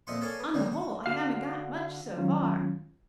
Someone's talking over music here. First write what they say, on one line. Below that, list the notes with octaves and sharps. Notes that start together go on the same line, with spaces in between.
"On the whole, I haven't got much so far."
F2 A#2 E4 D#5 C6 C#6
A4 A#4 C#5 D5 F5 G#5
B3
C#2 D3 D#3 F#3 G3 A#3
F#4
D3 F#4 F5
D#3 F#3 G#3 C#4 F4